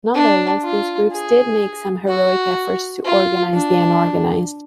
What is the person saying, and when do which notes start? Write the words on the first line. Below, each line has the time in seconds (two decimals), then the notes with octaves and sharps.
Nonetheless these groups did make some heroic efforts to organize the unorganized.
0.15 D4
0.63 F4
1.13 G#4
2.08 F#4
3.05 F4
3.54 D4